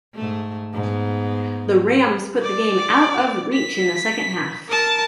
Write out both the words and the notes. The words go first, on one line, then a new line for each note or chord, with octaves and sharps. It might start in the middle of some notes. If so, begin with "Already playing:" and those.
The Rams put the game out of reach in the second half.
G#2 A3
G#2 B3
D5
B6
A#4 A5